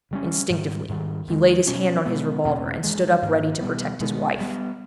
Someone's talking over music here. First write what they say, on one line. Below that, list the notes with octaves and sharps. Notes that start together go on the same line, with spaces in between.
Instinctively he laid his hand on his revolver, and stood up ready to protect his wife.
C#3 G3 C#4
G#2 D#3 G3
G#2 D#3 G3
E2 D#3 G#3
B2 G3 C#4
B2 G#3 B3
E2 B2 A#3 C#4
G2 E3 G#3
G#2 D#3 A#3
B2 G3 B3
B2 G#3 B3
G2 G3 B3